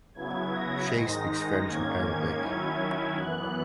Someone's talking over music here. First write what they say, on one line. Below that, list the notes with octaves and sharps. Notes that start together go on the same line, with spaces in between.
Shea speaks French and Arabic.
C#3 F#3 B3 E4 G#6
A#6
G#2 D#3 G#3 D#4
G#2 D#3 A#3 C#4 G#6
D#3 F#3 C#4 E4
F#2 E3 B3 F#6